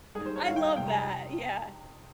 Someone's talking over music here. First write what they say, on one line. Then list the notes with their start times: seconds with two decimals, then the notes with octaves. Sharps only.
I love that. Yeah.
0.15 G3 G#4
0.18 D#2 D#3
0.26 C5
0.36 C#5
0.46 D#2 D#3 G3 F5
0.56 G5
0.67 F5
0.76 F2 C3 G3 G5
0.87 A#5